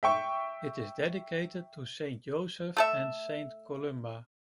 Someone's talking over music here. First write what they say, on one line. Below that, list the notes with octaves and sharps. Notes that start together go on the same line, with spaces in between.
It is dedicated to Saint Joseph and Saint Columba.
E5 G5 C#6
A3 A4 E5